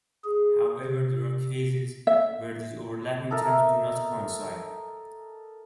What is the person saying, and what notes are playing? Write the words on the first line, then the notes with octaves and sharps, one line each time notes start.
However, there are cases where these overlapping terms do not coincide.
G#4
C3
E5
D#4 A4 A#4 E5